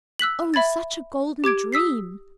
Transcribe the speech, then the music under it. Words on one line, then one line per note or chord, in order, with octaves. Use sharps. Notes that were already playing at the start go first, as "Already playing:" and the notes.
Oh, such a golden dream!
E6 F#6 B6 F#7
E5 B5 G#6 A6
G4 D6 G#6 D7
D#6 E6 B6 C7